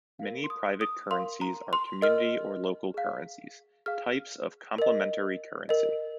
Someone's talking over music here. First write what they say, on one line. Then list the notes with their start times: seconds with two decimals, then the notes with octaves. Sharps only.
Many private currencies are community or local currencies, types of complementary currency.
0.19 A#4 F5
0.44 C6
0.50 D#6
0.81 D#6
1.11 A#4 F5 C6
1.41 A#5
1.73 C6
2.02 A#4 D#5 F6
2.94 G#4 F5
3.86 G#4 F5 F6
4.78 A#4 D#5
5.69 A#4 D#5